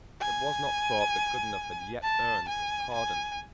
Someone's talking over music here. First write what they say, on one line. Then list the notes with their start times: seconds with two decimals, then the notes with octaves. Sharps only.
It was not thought that Goodenough had yet earned his pardon.
0.22 G#5
2.03 A5
2.48 G#5
2.94 G#5